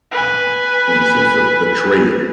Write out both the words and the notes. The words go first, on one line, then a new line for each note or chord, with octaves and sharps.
um, in a sense of betrayal,
B4 G#5